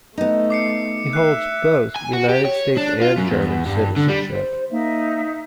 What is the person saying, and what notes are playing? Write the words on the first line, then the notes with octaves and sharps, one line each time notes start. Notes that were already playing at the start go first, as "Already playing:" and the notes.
He holds both United States and German citizenship.
A3 B3 D#4
D6 C7 C#7
E5 F#6 C7
G#5
F#4
G4
C#5
D4
F4
F#2
E2
G2
D3
G3
C5
A#3 D#4 E5